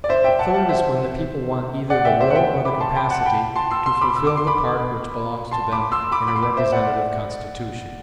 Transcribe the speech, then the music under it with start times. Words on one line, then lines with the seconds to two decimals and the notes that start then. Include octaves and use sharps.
The third is when the people want either the will or the capacity to fulfill the part which belongs to them in a representative constitution.
0.04 D5
0.09 C5 E5
0.24 E5 G5
0.39 F#5 A5
0.54 F#5 A5
0.69 C5 E5
1.90 D5 F#5
2.05 E5 G5
2.20 C5 E5
2.30 F#5
2.35 E5 G5
2.65 B5 D6
2.81 A5 C6
2.95 G5 B5
3.10 F#5 A5
3.25 G5 B5
3.56 A5 C6
3.71 C6 E6
3.86 C6 E6
4.01 B5 D6
4.16 E6
4.27 D6
4.37 C6
4.47 B5 D6
5.51 A5 C6
5.72 B5 D6
5.92 C6 E6
6.12 B5 D6
6.27 B5 D6
6.36 C6
6.43 B5 D6
6.57 C5 E5
6.72 D5 F#5